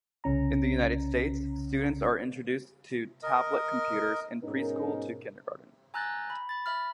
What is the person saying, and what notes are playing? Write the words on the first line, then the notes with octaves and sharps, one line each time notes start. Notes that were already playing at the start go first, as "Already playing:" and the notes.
In the United States, students are introduced to tablet computers in preschool or kindergarten.
C2 C#3 C#4 A#5
A#4 D#5
G#2 B2 C#4 D#4 A#4
G#5 A#5 E6 F#6 G6 A6
B5
B5 A6
E5 B5 F6